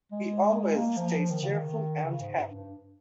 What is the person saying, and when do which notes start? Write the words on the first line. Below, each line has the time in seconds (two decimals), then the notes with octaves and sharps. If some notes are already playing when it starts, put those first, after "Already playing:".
He always stays cheerful and happy.
0.12 G#3
0.76 A#3
0.97 F3
1.19 F3
1.31 D#3
1.43 C#3
1.55 D#3
2.05 C#3
2.21 G#2
2.37 G2
2.53 G2